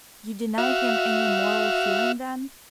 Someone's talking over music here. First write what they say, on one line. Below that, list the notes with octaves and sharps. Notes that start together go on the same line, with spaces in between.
You deny him any moral feeling then?
F#4 E5 F5